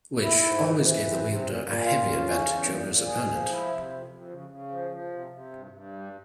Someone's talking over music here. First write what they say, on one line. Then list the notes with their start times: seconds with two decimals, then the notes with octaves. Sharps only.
Which always gave the wielder a heavy advantage over his opponent.
0.21 E4
0.41 G#2
0.62 E3
0.82 E3
1.02 C3
1.23 C3
1.44 A#2
1.63 A#2
1.84 F4
2.04 C#3
2.25 C#4
2.46 E2
2.65 A#2
2.86 A#2
3.06 G#4
3.27 F3
3.48 E4
3.68 C3
3.88 F2
4.09 F2
4.30 C#3
4.49 C#3
4.70 F3
4.90 F3
5.11 C3
5.31 C3
5.52 G2
5.71 G2
5.93 G3